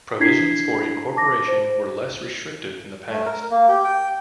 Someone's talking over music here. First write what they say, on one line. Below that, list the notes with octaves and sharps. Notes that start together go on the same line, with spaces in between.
Provisions for incorporation were less restrictive in the past.
D4 E4 G#6 B6 C7
A5 D6 A#6
C5
A3
A#4
A#3
G4
G5